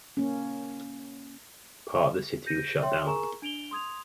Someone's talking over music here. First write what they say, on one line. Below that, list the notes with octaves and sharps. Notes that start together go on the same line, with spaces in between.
Part of the city was shut down.
A#3 C#4
G6 A#6 D#7
C#5 E5 G5 C6
G#4 A#4 G#5 A#5 C#6 E7
D4 D7 F7 G7
C6 D#6 G#6 F7